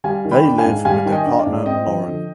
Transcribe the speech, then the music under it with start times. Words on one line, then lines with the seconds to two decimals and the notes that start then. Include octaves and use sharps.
They live with their partner Lauren.
0.04 G3 F5 G#5
0.25 D#3
0.31 G5 B5
0.45 D4
0.58 F5 G#5
0.65 G#2
0.85 G3 F5 G#5
1.05 D#3 G#5
1.12 D#5 G5
1.25 D4
1.39 D5 F5
1.46 G#2
1.66 C4 D#5 G5
1.86 F3
2.06 D3